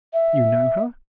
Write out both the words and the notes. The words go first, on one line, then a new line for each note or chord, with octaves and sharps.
"You know her?"
E5